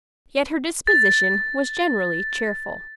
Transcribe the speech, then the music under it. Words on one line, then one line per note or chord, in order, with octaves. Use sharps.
Yet her disposition was generally cheerful.
A6